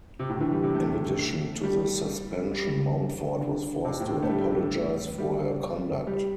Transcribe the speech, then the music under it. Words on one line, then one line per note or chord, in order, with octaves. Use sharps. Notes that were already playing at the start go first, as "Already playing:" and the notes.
In addition to the suspension Mountford was forced to apologise for her conduct.
C3
A2
D3
E3
G3
C3
A3
G3
G3
D3
C3
A2
D3
A3
G3
G3
G3